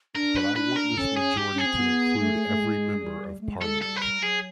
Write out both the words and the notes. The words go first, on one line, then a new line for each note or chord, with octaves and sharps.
But I want this majority to include every member of parliament.
D4 A#4
B4
D4 B4
A#4
C#4 A4
G#4
G4
C#4
G#4
C4
B3
A3
A3
G#3
G3
A3
G#3
G3
G#3 A4
G3 A4
B4
A#4
F#3 G#4